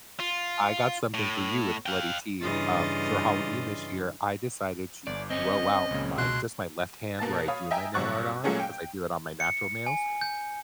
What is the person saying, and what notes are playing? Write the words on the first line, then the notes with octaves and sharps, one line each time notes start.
I got something for you with bloody teeth, um, for Halloween this year, I decided to grow out my just my left hand where I do my nail art on, 'cause I do it on my natural nails.
F4
A2
F5 G5
G2 C#3 E3 F4 D#5 A6
G1 D5 D6
C4 C#4 D#5
C#2 A#2 C#3
B2 C6 F#6
B2 A#3 A5 A6
C#5 F5 B5 D#6
D#5 E5 G5 G#5 A#5
G1 C3 F#3 C#6 F#6 A6
A#2 F#3 G#3 A3 C#4 G#4
G5
C#7
G#5
G6